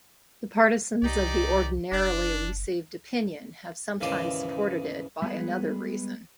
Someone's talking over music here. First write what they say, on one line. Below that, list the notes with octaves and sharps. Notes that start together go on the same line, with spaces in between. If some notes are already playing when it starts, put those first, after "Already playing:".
The partisans of the ordinarily received opinion have sometimes supported it by another reason.
C2 D#4 G4 D5
F#1 D4
D#2 G#2 C#3 E3 D5 C6
G3 G#3 B3 G#4 B4